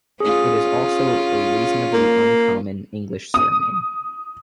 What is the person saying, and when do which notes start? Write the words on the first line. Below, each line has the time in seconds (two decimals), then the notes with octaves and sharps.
It is also a reasonably uncommon English surname.
0.20 C#4 F4 G#4
1.93 A#3
3.34 D#6